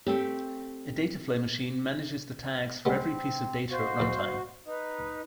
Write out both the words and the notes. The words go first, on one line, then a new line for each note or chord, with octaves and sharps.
A dataflow machine manages the tags for every piece of data at runtime.
A3 C4 G4
G3 G#3 B3 C4
F#4 C5 D#5 F5
E2 E3
D#4 B4